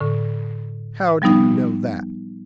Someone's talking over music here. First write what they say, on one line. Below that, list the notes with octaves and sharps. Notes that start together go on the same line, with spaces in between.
"How do you know that?"
A2 D3
F3 G3 B3 D#4